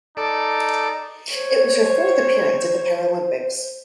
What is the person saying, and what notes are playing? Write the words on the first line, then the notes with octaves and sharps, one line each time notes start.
It was her fourth appearance at the Paralympics.
D#4 A4 D5
C5 C#5